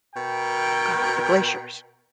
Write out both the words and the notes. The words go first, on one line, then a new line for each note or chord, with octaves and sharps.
uh, the glaciers.
B2 A#4 G5